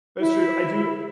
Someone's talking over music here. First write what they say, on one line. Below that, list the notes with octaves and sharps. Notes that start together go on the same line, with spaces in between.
That's true. I do
E4